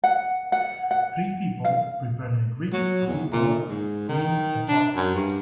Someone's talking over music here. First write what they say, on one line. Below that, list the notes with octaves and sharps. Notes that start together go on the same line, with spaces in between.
Three people preparing a grill to cook on in a park.
F#5
F#5
F#5
F5
F#3
E2
A#2
G#2
D#3
D4
F#2
G2